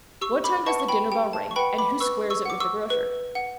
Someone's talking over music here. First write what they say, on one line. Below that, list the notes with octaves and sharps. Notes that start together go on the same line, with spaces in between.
What time does the dinner bell ring and who squares it with the grocer?
G4 C#6 E6
B5 D6
B4 F#5 A5 C#6
C#6
G5 B5
G4 G5
A5
C#6
B4 F#5 G5 B5
B5 D6
B4 C#6 E6
C#6 E6
F#5 D6
C#6 E6
B4
F#5